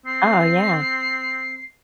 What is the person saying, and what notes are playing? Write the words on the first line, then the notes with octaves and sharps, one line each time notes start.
Oh, yeah.
C4 C7